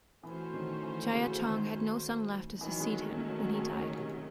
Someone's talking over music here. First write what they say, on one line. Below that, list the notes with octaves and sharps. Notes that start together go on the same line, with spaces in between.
Jia Chong had no son left to succeed him when he died.
E3 A3 C#4 F#4 C5
D#3
E3
C#3
D#3
D#3 E3 F#3 C#4
G#3
A3
A3
A3
G#3
C#3
C3